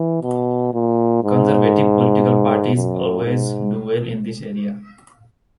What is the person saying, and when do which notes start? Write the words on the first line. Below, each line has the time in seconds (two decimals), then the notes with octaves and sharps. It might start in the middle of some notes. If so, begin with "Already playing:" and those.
Conservative political parties always do well in this area.
Already playing: E3
0.22 B2
0.74 A#2
1.24 G#2
2.75 F#2
3.25 G#2